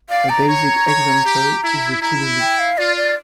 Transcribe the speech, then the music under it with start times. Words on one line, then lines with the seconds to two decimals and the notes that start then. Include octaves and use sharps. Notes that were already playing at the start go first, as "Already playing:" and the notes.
A basic example is the to do list.
0.10 D5 F5
0.29 A#5
0.49 C#5
0.87 C#5
1.25 G4
1.64 E4
2.02 E4 A#5
2.40 G5
2.59 F5
2.78 F4 D5
2.97 D5